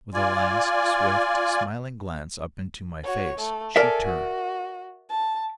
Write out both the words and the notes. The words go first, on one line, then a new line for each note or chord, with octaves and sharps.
With a last swift, smiling glance up into my face, she turned.
F4 D5 G#5
F#4 C#5
A3
A4 A#4 D5 E5 G#5
F#4
A5